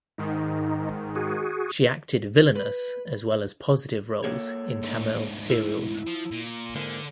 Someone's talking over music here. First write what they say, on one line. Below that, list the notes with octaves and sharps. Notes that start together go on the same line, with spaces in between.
She acted villainous as well as positive roles in Tamil serials.
G#2 D#3 D#4
F#4 G#4
B4
A#3 A4 C#5
D2 G#2
E4
F3
A#2
G#2 D3 A#3